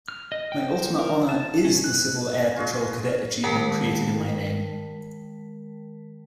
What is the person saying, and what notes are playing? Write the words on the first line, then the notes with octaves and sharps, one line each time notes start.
My ultimate honor 'is' the Civil Air Patrol cadet achievement created in my name.
F6
D#5
G5
C5
A#4
A5
C#4
F#6
F4 F#4 G#4
D#3 G#3 A#4 G5 A5 B6